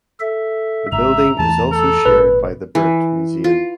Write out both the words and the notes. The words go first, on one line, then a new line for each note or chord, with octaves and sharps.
The building is also shared by the Berndt Museum.
A4 E5
G#1 G#2 D3 E5 A#5
E2 E3 A3 A5
A4
G#1 A#2 B4
E3
F4